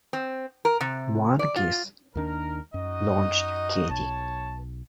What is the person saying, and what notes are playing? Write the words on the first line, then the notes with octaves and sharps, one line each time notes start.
Wanagas launched k.d.
C4
A#4
C3
D5
F4
D#2 D#3 D4 A#4
F#2 D#4 F#4 D#5
B1 C#5 A5